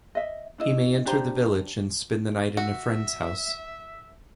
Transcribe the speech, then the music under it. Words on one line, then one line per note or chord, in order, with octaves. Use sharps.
He may enter the village and spend the night in a friend's house.
D#5 E5
D4 E4 D#5
D4 G4 C5 A#5
F#4 E5